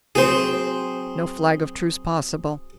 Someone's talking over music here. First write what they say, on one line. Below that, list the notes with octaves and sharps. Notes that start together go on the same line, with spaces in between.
No flag of truce possible.
F#3 C4 G#4 C5